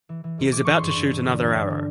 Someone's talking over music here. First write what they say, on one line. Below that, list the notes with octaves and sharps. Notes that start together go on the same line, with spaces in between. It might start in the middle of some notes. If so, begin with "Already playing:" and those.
He is about to shoot another arrow.
E3
E3
G#2
E3 D6
E3 C#6
G2 C6
C#6
G2
G2
D3
G2
G2
D3